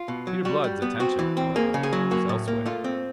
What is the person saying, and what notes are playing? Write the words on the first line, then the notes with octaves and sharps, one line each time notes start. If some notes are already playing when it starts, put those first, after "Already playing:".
Peter Blood's attention, however, was elsewhere.
Already playing: F4
B2
F#3
G3 F#4
G3
B3
C4 F#4
E3
C4
A#3 G#4
C#3
G#4
F#3
A#3 F#4
A2
A#3
A3 F4
C4